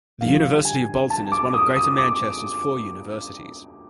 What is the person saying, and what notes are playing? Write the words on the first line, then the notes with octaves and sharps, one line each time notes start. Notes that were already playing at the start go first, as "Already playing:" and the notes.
The University of Bolton is one of Greater Manchester's four universities.
G2 D3 F3 F5
G#5
A5
D6
D#6
D#6
D6